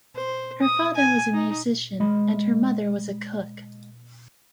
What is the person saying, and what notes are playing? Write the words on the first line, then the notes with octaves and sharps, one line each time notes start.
Her father was a musician and her mother was a cook.
C5
D#6
G#5
D#4
G#3 D#5 B5